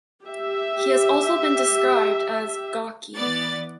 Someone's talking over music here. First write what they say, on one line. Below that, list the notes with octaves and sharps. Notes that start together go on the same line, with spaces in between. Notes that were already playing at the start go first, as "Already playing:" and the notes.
He has also been described as "gawky".
G4 E5
E3 B3 D5 A6